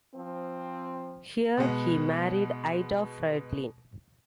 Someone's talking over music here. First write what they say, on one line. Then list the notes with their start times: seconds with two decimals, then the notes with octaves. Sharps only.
Here he married Ida Friedlin.
0.15 F3 C4
1.57 B2 G#3 B3